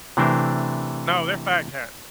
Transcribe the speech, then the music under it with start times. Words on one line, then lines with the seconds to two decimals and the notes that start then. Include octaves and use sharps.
No, they're fat cats.
0.17 C3 E3 A3 D4 A#4 C5